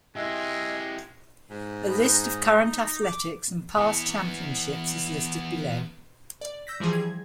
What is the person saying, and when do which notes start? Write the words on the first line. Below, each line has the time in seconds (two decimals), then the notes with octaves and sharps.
A list of current athletics and past championships is listed below.
0.16 G#3 E4 G4 D#5 E5 G#5
1.50 G#2
1.89 D#4 B5
2.13 A#5
3.03 D6
3.77 E3 B3
6.41 D5
6.67 E6 G6 A#6 B6
6.80 E3 F3 G3 G#4
6.93 G#6